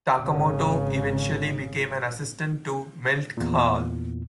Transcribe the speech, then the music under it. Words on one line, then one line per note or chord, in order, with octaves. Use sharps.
Takamoto eventually became an assistant to Milt Kahl.
G#1 C#3
E2 A#2